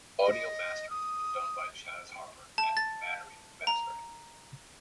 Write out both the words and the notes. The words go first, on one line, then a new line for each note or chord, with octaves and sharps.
Audio mastering was done by Chaz Harper at Battery Mastering.
D#5
D#6
A5
A6
A#5